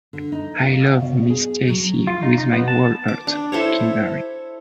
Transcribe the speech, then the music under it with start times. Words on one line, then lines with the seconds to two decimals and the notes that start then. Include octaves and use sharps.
I love Miss Stacy with my whole heart, Kimberly.
0.13 D3
0.32 D#4
0.61 F4
1.00 B2
1.30 G#4
1.69 F#3
2.07 F4
2.23 D#4
2.38 D#4
2.53 B3
2.68 A5
3.08 D6
3.27 D4
3.52 E4 A4 C5 C#5